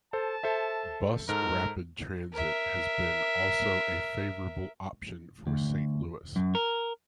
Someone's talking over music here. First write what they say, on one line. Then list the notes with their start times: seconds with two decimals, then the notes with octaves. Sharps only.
Bus rapid transit has been also a favorable option for Saint Louis.
0.13 A4 C5 A5
0.43 A4 C5 E5
1.29 G#2 A4 A#4 F6
2.33 A#4 E5
5.47 D2
6.36 F#2
6.55 A#4